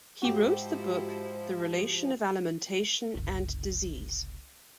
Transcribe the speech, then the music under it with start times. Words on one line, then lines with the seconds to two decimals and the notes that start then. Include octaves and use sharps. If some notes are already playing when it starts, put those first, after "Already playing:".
He wrote the book "The Relation of Alimentation and Disease".
0.22 G#2 F3 E4 F#4 G4 C5
3.15 F#1 C2